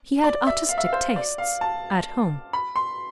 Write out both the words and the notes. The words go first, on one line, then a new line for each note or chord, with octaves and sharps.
He had artistic tastes--at home.
D5
E5
F5
E5
F5
C5
D5
F5
A5
B5
C6